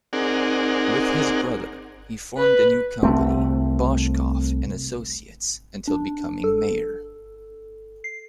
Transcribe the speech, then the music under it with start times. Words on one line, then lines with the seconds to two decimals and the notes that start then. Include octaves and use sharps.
With his brother he formed a new company "Boshcoff and Associates" until becoming Mayor.
0.13 C4 D#4 G#4 A#4 D5 F#5
2.37 B4
3.03 C2 A3 C4
5.88 D4
6.44 A4
8.04 C7